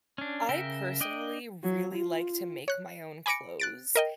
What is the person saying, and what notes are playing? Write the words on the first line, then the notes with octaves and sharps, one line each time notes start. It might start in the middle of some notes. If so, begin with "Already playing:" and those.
I personally really like to make my own clothes,
C#4 D4
C#3 A#4 E5 G5
D4 D#5 G5
F#3
F4
C#5 F#6
G#5 B5 D6 A#6 C#7 D7
F#6 A6 D7
A#4 D#5 G5